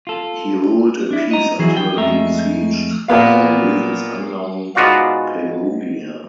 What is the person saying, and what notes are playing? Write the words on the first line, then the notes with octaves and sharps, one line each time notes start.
He ruled in peace until he besieged, for reasons unknown, Perugia.
F4 A4
D4 E4
D#5 A#5
E3 F#3 B3 E4 G#4
G5
F2 G#3 A3 D#5 E5 A#5
A#2 A#3 B3 F5
G#2 B3 F4 F#4 D5 F5